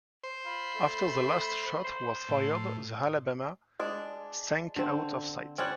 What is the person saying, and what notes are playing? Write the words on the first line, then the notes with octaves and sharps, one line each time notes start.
After the last shot was fired the "Alabama" sank out of sight.
C5
F4 B5
A3
C5
A2
G#3 D4
D3 C4
G3 C4 C#4 D5 F#5